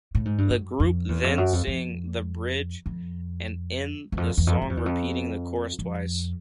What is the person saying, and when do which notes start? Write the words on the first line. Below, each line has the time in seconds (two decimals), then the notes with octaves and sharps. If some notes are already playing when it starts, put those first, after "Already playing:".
The group then sing the bridge, and end the song repeating the chorus twice.
0.15 A2
0.25 G#2
0.38 G2
0.49 F#2
0.80 F2
1.09 E2
1.24 F2
1.38 F#2
1.53 F2
1.67 F2
2.86 F2
4.12 E2
4.17 F2
4.37 E2
4.47 F2
4.62 F#2
4.70 F2
4.77 E2
4.86 F2
5.79 F2